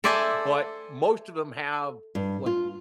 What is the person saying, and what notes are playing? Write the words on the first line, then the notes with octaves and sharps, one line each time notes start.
but most of 'em have, like,
A4 C5 D5 E5 G#5 A5
G2
F4